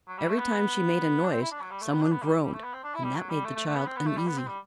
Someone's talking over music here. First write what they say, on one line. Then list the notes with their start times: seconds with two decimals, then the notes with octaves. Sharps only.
Every time she made a noise some one groaned, and that made the child uneasy.
0.08 F#3
0.18 G3
0.29 A3
0.39 B3
1.25 D4
1.31 C4
1.41 E4
1.51 D4
1.61 F#3
1.71 G3
1.82 A3
1.93 B3
2.02 D4
2.12 B3
2.23 G3
2.43 G3
2.53 A3
2.63 B3
2.73 C4
2.84 D4
2.95 E4
3.04 G3
3.15 F#3
3.30 G3
3.45 A3
3.56 A3
3.66 A3
3.76 B3
3.86 C4
3.97 B3
4.07 A3
4.17 G3
4.27 B3
4.37 C4
4.48 G3